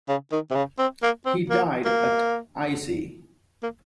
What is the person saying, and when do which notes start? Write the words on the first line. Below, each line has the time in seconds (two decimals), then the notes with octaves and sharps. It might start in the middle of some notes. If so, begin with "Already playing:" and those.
He died at Issy.
0.09 C#3
0.32 D#3
0.51 C3
0.55 C#3
0.79 C4
1.03 A#3
1.26 C4
1.50 A#3
1.85 A#3
3.63 A#3